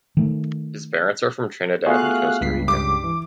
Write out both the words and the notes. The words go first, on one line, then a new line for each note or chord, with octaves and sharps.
His parents are from Trinidad and Costa Rica.
D#3 A3
A3 B3 F4 F#4 G#4 F5 F#6
C#2 G2 B6 C7
G3 G4 D6
E3